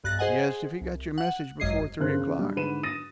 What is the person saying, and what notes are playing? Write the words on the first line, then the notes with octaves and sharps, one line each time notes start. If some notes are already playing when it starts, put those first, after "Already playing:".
"Yes, if he got your message before three o'clock."
B1 G2 F#6 A6 A#6
G#4 C5 D#5 F#5 G#5
C2
F#5
G#1 F#2 D#5 G#6 C7
G1 C#3 A#4 C5 F#6
C#3
G3 D4
G#2 D3 B4 D#7 E7
D#6 A6 A#6 D#7